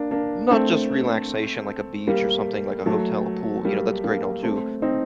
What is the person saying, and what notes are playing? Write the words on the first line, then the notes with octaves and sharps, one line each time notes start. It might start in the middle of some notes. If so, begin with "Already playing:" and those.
not just relaxation, like a beach or something, like a hotel, a pool, you know? That's great and all too,
Already playing: A#3 D4
A#3 D4
A3 C4
G3 A#3
F#3 A3
G3 A#3
G3 A#3
A3 C4
C4 D#4